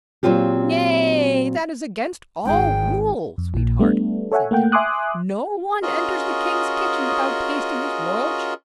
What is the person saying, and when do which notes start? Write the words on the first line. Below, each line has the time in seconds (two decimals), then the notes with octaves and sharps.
"Nay, that is against all rule, sweetheart," said Deborah; "no one enters the king's kitchen without tasting his royal cheer."
0.23 A#2 F3 F#3 C4 F4 G4
2.45 G#1 G#2 G#4 G5
3.38 F2
3.54 A#1 A#2
3.79 G3 A3 B3 D4
4.32 A4 C#5 E5 F#5 G#5
4.51 A3 A#3 F#5 G5
4.72 E5 G#5 C6 D6 D#6 F#6
5.82 C#4 F4 F#4 G#4 A#4 D#5